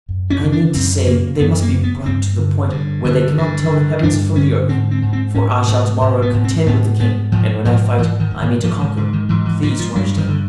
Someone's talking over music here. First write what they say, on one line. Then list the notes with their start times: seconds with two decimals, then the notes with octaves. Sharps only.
"I mean to say they must be brought to the point where they cannot tell the heavens from the earth; for I shall to-morrow contend with the king; and when I fight I mean to conquer--please to understand."
0.09 F#2
0.30 C#4
0.42 C#3
0.52 D4
0.74 F#2 C4
1.07 C#3 A#3
1.40 F#2 B3
1.62 A#3
1.73 C#3
1.84 B3
2.06 G2 C4
2.39 D3
2.71 G2
3.05 D3
3.38 G2
3.71 D3
4.03 G2 D4
4.36 D3 C#4
4.69 G#2 C4
4.91 C4
5.02 G#2
5.13 C4
5.34 G#2 C#4
5.68 G#2 A3
6.01 G#2
6.22 B3
6.33 G#2
6.44 C4
6.66 G#2 B3
6.99 G#2 B3
7.32 G#2 F3
7.65 G#2 F3
7.98 G#2 E3
8.20 D#3
8.31 G#2
8.42 D#3
8.63 G#2 F3
8.80 D#3
8.97 G#2 D3
9.13 D#3
9.29 G#2 E3
9.45 E3
9.62 G#2 F3
9.79 F3
9.95 G2 F#3
10.17 D#3
10.28 D3